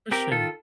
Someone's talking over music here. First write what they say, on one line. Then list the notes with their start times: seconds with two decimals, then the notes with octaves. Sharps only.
For sure.
0.11 C4 G4 A#4
0.31 D#3 F4 A4